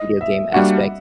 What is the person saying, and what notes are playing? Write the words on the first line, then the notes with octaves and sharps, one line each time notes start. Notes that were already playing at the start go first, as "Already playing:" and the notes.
video game aspect,
Already playing: D#5
E5
G3 A#3 D4 F#4 F#5